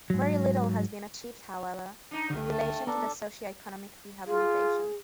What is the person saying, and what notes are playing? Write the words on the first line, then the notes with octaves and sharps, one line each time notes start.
Very little has been achieved however, in relation to the socio-economic rehabilitation.
G#2 F#3
D4 D#4
C#2 G2 D3
A3 A5
B3 D4 A4 A#5
F4 G#4